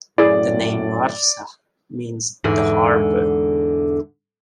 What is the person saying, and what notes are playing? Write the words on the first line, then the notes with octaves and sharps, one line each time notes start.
The name Marsa means "the harbour".
F#2 A2 E4 G#4 D5
E2 G#2 D3